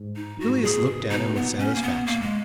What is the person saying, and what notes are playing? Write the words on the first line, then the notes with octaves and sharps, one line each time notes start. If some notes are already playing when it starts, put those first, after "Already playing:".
Julius looked at him with satisfaction.
Already playing: G#2
D#4
F#2 F#4
G#2
A#2 G#4
B2
C#3
B2 D#4
A#2
B3
F#2
C#4
A#3
B3
A#3
G#3